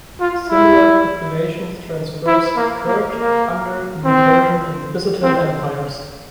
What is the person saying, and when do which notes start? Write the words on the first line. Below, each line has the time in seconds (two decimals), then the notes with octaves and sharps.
Similar population transfers occurred under the Persian and Byzantine Empires.
0.20 F4
0.49 E4
2.27 E4
2.56 A#3
2.87 A#3
3.16 A#3
4.04 C4
5.23 C4